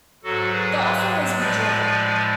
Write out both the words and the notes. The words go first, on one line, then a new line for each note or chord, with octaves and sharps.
The offer was withdrawn.
G#2 F#3 F#4 A4
G#4 B4
G#4 B4
A2 F3 G#3 B4 D5